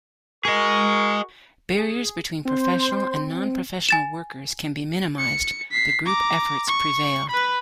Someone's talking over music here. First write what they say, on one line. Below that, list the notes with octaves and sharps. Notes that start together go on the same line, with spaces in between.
Barriers between professional and non-professional workers can be minimised, the group efforts prevail.
F#4 G#4 A#4 D#5 C#6
G#4
C4 C5 C6
G#5 A6 E7
C#7
B6 C7
A#5 D6
C#6
B4 B5